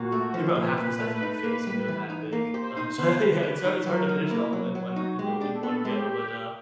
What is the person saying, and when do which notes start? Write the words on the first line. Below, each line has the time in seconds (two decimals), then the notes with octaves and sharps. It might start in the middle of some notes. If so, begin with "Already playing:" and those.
they're about half the size of my face, I mean, they're that big, um, so, yeah yeah, it's hard it's hard to finish it all in in one in yo in one go, but, uh,
Already playing: A#2 F#4
0.12 A3
0.34 F3
0.55 A#2 B4
0.78 A#2
1.00 A3
1.22 D#4
1.44 A#3
1.67 G3
1.88 E3
2.10 D#4
2.33 A#3
2.54 G4 C5
2.77 D#4
2.87 C5
2.98 B3
3.20 G3 B4
3.43 G4
3.64 D#4
3.86 F#3 A#4
4.09 D#4
4.20 E4
4.31 A#3
4.53 F#3
4.75 F#3
4.85 F#4
4.96 D#4
5.19 G#3 G4
5.41 D4
5.52 A4
5.63 B3
5.85 G#3 G4